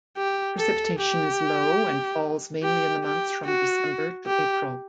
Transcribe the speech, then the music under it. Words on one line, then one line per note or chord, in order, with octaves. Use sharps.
Precipitation is low, and falls mainly in the months from December to April.
G4
A4
G4
G4
G4
F#4
G4